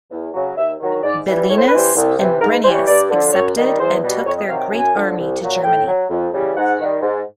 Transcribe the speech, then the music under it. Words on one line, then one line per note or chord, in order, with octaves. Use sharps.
Belinus and Brennius accepted and took their great army to Germany.
E2
C#3 F#3
D#2 E5
D#3 F#3
G#2 D5
E3 G3
A2 C#5
C5
B4
E3 G3 C5
C2
C3 E3
G#2 A#4
B4
E3 G3 C5
C#5
G2 D5
D3 F3
F#2 C#5
D#3 G3
E2 C5
B2 G3
F2 C#5
D#5
C3 D#3 F#3 F5
G5
F#2 G#5
D3 F3
C2
A#2 F#3
A2 G5
F#3
F2
C#3 E3 G3
G#2 F#5
D#3
G3
G#2